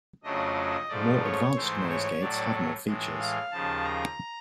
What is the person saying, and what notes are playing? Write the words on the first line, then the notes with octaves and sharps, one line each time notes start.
More advanced noise gates have more features.
F2 C#3 F#3 A3 D4 D#5
G#2 F3 A3 D5
C#5
G#2 E3 A3 C5
C#5
A2 F#3 A3 D5
A2 E3 G#3
F5
D#2 C#3 F3 A5
A#5